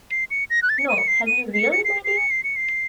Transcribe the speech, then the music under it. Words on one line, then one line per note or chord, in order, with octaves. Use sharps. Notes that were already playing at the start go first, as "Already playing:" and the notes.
No; have you really, my dear?
C7
C#7
A#6
F#6
A6
C#7
D#7
C#7
C7
D#7
C7
C#7
C#7
C7
C7
C#7
C7
C#7
C7